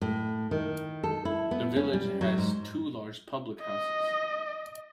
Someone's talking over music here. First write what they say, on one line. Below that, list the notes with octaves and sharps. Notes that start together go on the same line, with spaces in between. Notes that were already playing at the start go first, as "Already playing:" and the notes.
The village has two large public houses.
A2
D#3
A4
E4
B3
C#4
G3
F#3
G#2
D#5